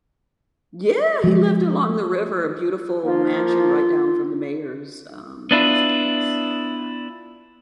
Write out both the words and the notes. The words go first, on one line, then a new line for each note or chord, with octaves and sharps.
Yeah! He lived along the river, a beautiful mansion right down from the mayor's, um, residence, yeah,
F3 G#3
F3 A#3 F4
B3 D4 E4 F4